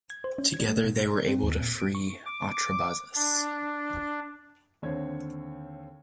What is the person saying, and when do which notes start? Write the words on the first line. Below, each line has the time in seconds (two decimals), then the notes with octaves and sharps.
Together they were able to free Artabazus.
0.10 G#6
0.24 C5
0.38 C#4
0.54 G#6
0.69 A3
0.84 B2
0.96 A#6
1.28 C4
1.43 D#2
1.61 A#2
1.80 D7
1.95 C#6
2.26 D6
3.16 D4
4.82 D#2 D3 C4 C#5 G#6